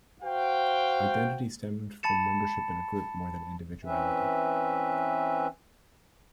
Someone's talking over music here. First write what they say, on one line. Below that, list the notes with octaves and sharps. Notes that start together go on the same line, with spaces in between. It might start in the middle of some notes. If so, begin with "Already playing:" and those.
Identity stemmed from membership in a group more than individuality.
F#4 C5 F5 G5
A5 B5 A6 C#7 E7
E3 C4 C#4 B4 E5